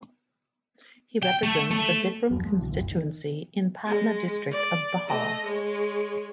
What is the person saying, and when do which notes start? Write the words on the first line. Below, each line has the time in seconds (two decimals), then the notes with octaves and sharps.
He represents the Bikram constituency in Patna district of Bihar.
1.23 G5
1.43 A3
1.71 A3
2.30 E2 G2 F3 F#3
2.44 F3 G#3 A#3
2.58 B1 D3 E3 F#3
2.72 F#1 C2 A2
2.91 D#3
3.86 G#3
4.51 D5
5.07 A3 D#5
5.45 G#3 C#5